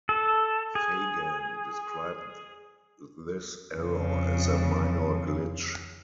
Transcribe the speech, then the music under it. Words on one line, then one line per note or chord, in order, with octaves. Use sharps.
Fagan described this error as a "minor glitch".
A4
G#4
F2 C#3